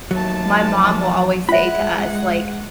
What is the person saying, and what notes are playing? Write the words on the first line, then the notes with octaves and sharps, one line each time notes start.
my mom will always say to us, like
D#2 F3 F#3 A3 A5
G#3 F4 E5 F#5 B5